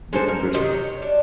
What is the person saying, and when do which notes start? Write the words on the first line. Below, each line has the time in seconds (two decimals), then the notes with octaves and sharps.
Get them perspec
0.13 G#3 A#3 A4 C5
0.28 A#4
0.54 C3 D#3 D#5
0.73 C#5
1.02 D4